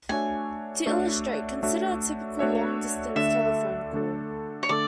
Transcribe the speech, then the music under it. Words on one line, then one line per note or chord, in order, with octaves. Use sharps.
To illustrate, consider a typical long-distance telephone call.
A3 D4 F#4 C#5 E5 G#5
A3 D4 F#4 C#5 E5
A3 D4 F#4 C#5 E5
A3 D4 F#4 C#5 E5
D3 A3 D4 A4 E5
D3 A3 D4 A4
C#5
D3 A3 D4 A4 D5